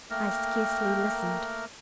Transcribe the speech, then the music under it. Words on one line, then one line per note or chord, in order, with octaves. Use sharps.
I scarcely listened.
A3 A#3 A#4 G5